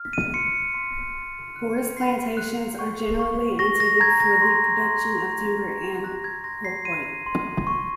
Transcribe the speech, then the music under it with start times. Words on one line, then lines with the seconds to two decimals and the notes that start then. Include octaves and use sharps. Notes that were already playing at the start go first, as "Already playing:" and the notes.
Forest plantations are generally intended for the production of timber and pulpwood.
Already playing: F6
0.13 D#7
0.34 C6 C#7
0.74 C6
1.15 C6
1.56 F#6
1.96 C6 C7
2.37 F#6
2.79 C#6
3.19 C#6
3.59 C#6 A#6
3.80 A#6
4.00 A#5 G#6
4.20 A#6
4.42 C6
4.81 C6
5.23 C6
5.64 C6
6.04 F#6 A#6
6.24 G#6
6.44 C6 A#6
6.65 C7
6.85 C6 D#7
7.26 C6
7.67 C#6